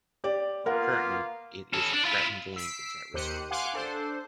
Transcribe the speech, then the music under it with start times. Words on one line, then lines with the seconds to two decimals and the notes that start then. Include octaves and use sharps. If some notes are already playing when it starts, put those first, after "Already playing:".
Currently, it is a threatened language at risk of disappearing.
0.24 G4 D5
0.66 A#3 B3 F4 A#4 F#5
1.73 C#4 A4
1.93 D4
2.05 E4 F4
2.56 E6 B6 C7 D7
3.14 D#2 G4 C5 F#6 C#7 D#7
3.51 F5 F#5 G#5 C6 D6 F#6
3.74 D4 A4 C5